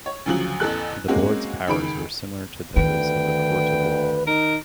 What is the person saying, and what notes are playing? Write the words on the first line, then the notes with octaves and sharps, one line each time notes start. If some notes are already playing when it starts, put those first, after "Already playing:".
The Board's powers were similar to those of a court of law.
C#5
D2 C#3 F3 F#3 F#7
A1 E2 A4 F#6
G#3 A#3 C4 C#4 F#4
C#2 D#3 G#4 B5 D7
D2 D#3 B4 G5
D#4 A#4